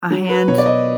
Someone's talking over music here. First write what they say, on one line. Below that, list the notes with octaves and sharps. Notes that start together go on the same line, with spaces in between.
a hand,
F#3
B4
B2 C#5
D5
D#5